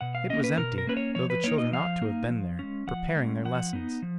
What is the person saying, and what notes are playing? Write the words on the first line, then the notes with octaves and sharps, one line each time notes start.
It was empty, though the children ought to have been there, preparing their lessons.
B2 F#5
F5
A#3 C#4 D#5
B4
B2 A#4
A#4
A#3 C#4 B4
C#5
F3 C#5
B4
A#3 D#4 C#5
D#5
F3 F5
A#3 D#4
F3
G#3 C#4
F3 F#5
G#3 C#4
F3 F#5
B3 D#4
F3